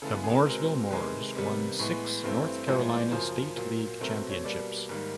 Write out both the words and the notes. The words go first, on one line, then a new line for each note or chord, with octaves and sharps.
The Mooresville Moors won six North Carolina State League Championships.
C#3 E3 G#3 B3 A4
G#4
A#4
B2 G#3 C4 A#4
C3 D#3 G#3 B4
C3 D#3 G3 B3
A2 E3 G#3 B3
G2 E3 A3 C4
A2 F3 G#3 B3 C5
C#5
D5
F#2 C#3 F3 A#3 C5
A#2 F#3 A#3
B2 F#3 A3 C4 A#4
C#5
B2 G3 A#3 D5
G#2 D#3 G3 A#3